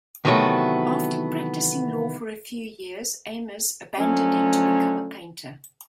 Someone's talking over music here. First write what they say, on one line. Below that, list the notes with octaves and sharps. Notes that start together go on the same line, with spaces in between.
After practicing law for a few years, Ames abandoned it to become a painter.
C3 D#3 E3 F#3 A3 B3
D3 F3 F#3 A3 C#4